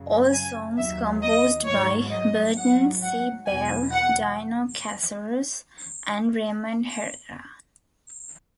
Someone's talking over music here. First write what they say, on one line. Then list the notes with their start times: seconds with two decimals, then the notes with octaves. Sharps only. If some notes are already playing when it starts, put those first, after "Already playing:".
All songs composed by Burton C. Bell, Dino Cazares and Raymond Herrera.
Already playing: F#2 C#3 F#3
0.32 G#5
0.76 D#2 D#3 F#3 E5
1.22 D#5
1.66 G#2 F#3 C#5
2.11 D#5
2.56 G#2 F#3 F#5
3.02 F#5
3.46 E2 B2 F#3 G#5
3.92 F#5